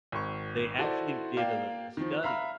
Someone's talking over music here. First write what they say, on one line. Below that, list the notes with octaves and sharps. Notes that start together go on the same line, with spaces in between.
They actually did a l a study
G#1 C#6
E4 F#4 A4 C5 D5
A#3 D5 F5 G5
D#3 F3
E5 F5 A#5 B5 F6